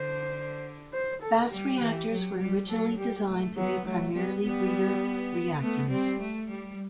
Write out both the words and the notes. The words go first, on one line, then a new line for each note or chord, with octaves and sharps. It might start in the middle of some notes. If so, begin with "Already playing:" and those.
Fast reactors were originally designed to be primarily breeder reactors.
Already playing: D3 C5
C5
A4
G3 G4
E3
F#3
G3
F#3 A4
G3 G4
A3
F#3 B3
F#3 A3
G3 B3
G3 B3
A3 B3
G3 C4
A3
G3